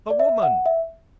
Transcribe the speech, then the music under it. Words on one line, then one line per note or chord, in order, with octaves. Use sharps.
The woman!
D5
E5
F#5
E5